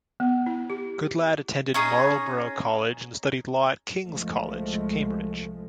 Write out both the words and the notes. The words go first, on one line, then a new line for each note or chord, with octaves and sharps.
Goodlad attended Marlborough College and studied law at King's College, Cambridge.
B3
E4
G4
C#4 D#4 G#4
C2 F3 G#3 A3